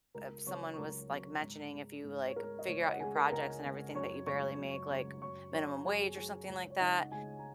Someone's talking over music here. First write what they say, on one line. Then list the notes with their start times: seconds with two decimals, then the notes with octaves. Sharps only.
if someone was like mentioning if you like figure out your projects and everything that you barely make, like, minimum wage or something like that,
0.15 C#2 A#4 A#5
0.46 C#3 F#3 C#5 C#6
0.73 C#6
0.78 C#2 A#4 A#5
1.10 C#3 F#3
1.42 G#2
1.74 G#3
2.04 G#2
2.27 C#5
2.36 G#3 A#4
2.59 D#5
2.68 C#2 C#5
2.79 C#5
2.86 D#5
2.93 F#5
3.00 C#3 G#3 G#4 G#5
3.15 A#4 A#5
3.32 C#2 A#4 A#5
3.64 C#3 G#3
3.95 F#2 C#5 C#6
4.26 C#3 G#3 C#5 C#6
4.58 F#2
4.90 C#3 G#3
5.22 F#2 C#5 C#6
5.53 F#3 C#5 C#6
5.67 C#6
5.76 A#5
5.85 F#2 G#4 G#5
6.17 F#3 G#4 G#5
6.48 C#2 C#5
6.70 C#5
6.80 C#3 G#3 D#4 D#5
7.02 F#5
7.12 C#2 G#4 G#5
7.39 A#5